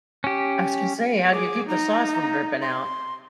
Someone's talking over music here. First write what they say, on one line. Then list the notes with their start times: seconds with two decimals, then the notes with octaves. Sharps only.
I was gonna say, how do you keep the sauce from dripping out?
0.24 C#4 G4
1.33 G#4 D6
1.69 D#4 A#5
2.62 C6